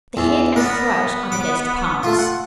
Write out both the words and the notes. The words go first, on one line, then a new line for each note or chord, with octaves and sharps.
The head and throat are the best parts.
E2
B3 A#4 D5
D6
A3 F4
F#5